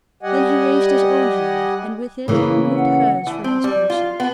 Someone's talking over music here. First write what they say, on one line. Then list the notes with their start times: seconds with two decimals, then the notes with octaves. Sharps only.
Then he raised his own hand, and with it moved hers from his person.
0.23 G3 G4 D#5 F#5 G#5
2.28 C#3 E3 A#3 E4
2.77 F#5
3.27 E3
3.44 C4
3.64 G3
3.90 F4
4.20 B3